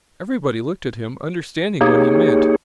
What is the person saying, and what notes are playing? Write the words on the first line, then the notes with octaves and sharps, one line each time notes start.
Everybody looked at him, understanding what he meant.
A#3 D#4 G4 G#4 C#5